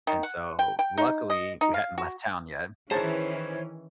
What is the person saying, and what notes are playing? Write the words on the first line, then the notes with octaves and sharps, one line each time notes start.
And, so, luckily we hadn't left town yet,
D#3
F#5
G5
G5
D#4
D#5
D#4
F5
F#4
D#3 E3 C#4 G#4 C5 C#5 A5 A#5